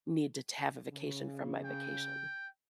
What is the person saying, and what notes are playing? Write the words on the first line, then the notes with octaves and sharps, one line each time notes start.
need to to have a vacation from my vacation.
C#3
G5